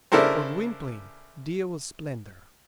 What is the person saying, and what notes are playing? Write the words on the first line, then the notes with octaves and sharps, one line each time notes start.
For Gwynplaine, Dea was splendour.
C#3 D4 E4 A4 A#4 C5